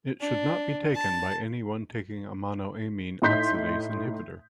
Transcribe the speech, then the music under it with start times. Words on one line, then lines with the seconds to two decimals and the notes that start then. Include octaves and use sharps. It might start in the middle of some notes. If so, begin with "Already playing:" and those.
It should not be taken by anyone taking a monoamine oxidase inhibitor.
0.21 D4
0.95 A5
3.22 A2 D#4 C6 G6 B6